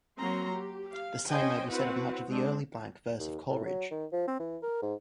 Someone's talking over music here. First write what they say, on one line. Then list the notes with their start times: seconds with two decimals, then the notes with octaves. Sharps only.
The same may be said of much of the early blank verse of Coleridge.
0.18 F#3 A#3 C4 A#5 C6
0.53 G4
0.92 F5
1.28 C#4 C5 D#5 G5 G#5
1.69 C4 E4 F#4 B4 F#5
2.28 G#3 C4 D4
3.19 D#2
3.50 A2
3.65 F#3
3.91 D#3
4.12 F3
4.27 C4
4.39 E3
4.62 A#4
4.82 G#2